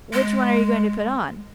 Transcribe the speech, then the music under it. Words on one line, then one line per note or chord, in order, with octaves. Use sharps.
"Which one are you going to put on?"
G#3